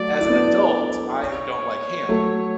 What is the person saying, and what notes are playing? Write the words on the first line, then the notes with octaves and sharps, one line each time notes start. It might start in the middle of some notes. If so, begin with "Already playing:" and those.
as an adult, I don't like ham,
Already playing: F#3 A3 D5
E4
B3 D4
C#5
F#3 A3